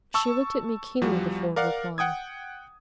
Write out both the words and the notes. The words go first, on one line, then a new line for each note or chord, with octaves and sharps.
She looked at me keenly before replying.
A5 C#6 E6
E2 F3 G3 F#4
A#4 D5 F5 F#5
F#5 G5 D#6 G#6